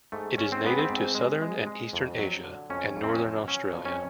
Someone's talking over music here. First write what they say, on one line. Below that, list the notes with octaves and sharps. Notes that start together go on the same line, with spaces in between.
It is native to southern and eastern Asia and northern Australia.
G#2 A3
G#2 C#4
C4
G#2 B3
C4
G#2
G#3
G#3
G#3
F2
F#3
D3
F2 C#4
F2
C4
C#4
F#3
F#3 C#4
F2
C#4